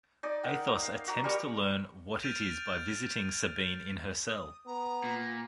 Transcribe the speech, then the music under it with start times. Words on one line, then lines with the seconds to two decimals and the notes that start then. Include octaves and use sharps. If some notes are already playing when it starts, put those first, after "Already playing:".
Athos attempts to learn what it is by visiting Sabine in her cell.
0.23 D#4 D5
0.43 A#4 F#5 G5
0.83 F5
1.08 F#4 A#5
1.24 G3 A#4 A#5 C#6
2.22 F6 G6 A6 D7 D#7 F7
4.28 D#6
4.67 B3 A#5
5.04 A#2